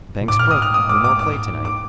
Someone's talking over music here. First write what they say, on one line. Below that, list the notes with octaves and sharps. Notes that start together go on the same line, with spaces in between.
The bank's broke; no more play to-night.
A#2
G#2 D6
F6
D#6
F6
D#6
D6
D6
D6
D6